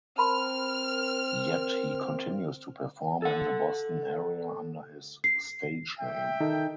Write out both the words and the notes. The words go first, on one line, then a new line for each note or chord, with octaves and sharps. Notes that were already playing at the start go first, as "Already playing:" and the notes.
Yet he continues to perform in the Boston area under his stage name.
C4 A#4 A5 B5 C6 F6
A4 F#5
C7
E5 G5
D#3 D#4 A4